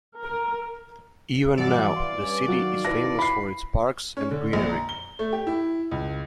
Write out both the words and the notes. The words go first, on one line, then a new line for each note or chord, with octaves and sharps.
Even now the city is famous for its parks and greenery.
A#4
G2 E3 F#3 F#4 D5 E5
E3 F5 C6
G2 G3 C#4
D#3 F#3 F#4 F5
E4 B4 A5 A#6
B5 C7
C#4
D3
A#1
A#5
G7
A3
G4
E4
C#2